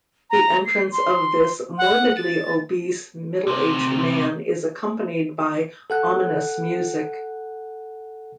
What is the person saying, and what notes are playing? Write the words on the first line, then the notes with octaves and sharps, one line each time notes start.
The entrance of this morbidly obese middle-aged man is accompanied by ominous music.
A#5
C7
C6
F#5
A6
D2 C3
A4 F#5 F#6